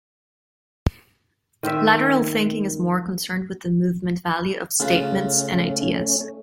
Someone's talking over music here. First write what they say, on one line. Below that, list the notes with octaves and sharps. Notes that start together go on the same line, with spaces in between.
Lateral thinking is more concerned with the "movement value" of statements and ideas.
D#3 C4 E5
C#3 A3 C#4 F4 B4